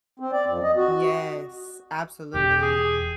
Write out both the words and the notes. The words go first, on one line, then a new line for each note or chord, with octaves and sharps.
Yes, absolutely.
C4
D5
F2
D#5
F#4
E1 G4
G#4